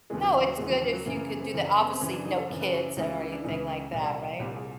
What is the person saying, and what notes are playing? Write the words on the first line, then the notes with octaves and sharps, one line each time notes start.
No, it's good if you could do that. Obviously, no kids or anything like that, right?
D#2 C#3 E3 G#3
F#3
F3
F#3
D#2 C#3 E3 G#3
F#3
F3
F#3
F#2 C#3 E3 A#3
A#3
B3
C4
F#2 C#3 E3
B3
C4
F#2 C#3 E3 C#4
D4
D#4
A4
F#2 C#3 E3 A#4
B4
F#4
E4
C#2 C#3 E3 D#4
F4
E4
D4
E4
C#2 C#3 E3 D#4
C2 A#2
C2 A#2 G4
G#4